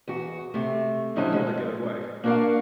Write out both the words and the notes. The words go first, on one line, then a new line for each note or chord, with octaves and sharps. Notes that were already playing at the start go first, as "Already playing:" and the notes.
I gotta get away.
E2 F#4
C3 A3
D3 F3 F#3 C#4 D#4 E4
G#3
A#3 D4 F#4 A4 A#4 F5